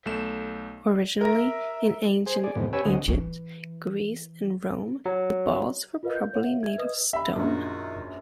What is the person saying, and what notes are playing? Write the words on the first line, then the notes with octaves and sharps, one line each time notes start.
Originally, in ancient Egypt, Greece, and Rome, the balls were probably made of stone.
B1 A3 E7
A#4 E5 A#6
G#4 C5
G#4 D5
F2 A2 C3 D#3 G#3 B3
C#4 G4 B4 C#5 G#5 E6
D2 D3 G#3 C4 F#4 D#5
E3
F#3
F4 A#4 B4 D#5 F5
G6
C#5 F5 F#5
E5
E5 G#6
B4 D#5 D#6
E5 B5
A#1 F#2 D#3 F4 F#4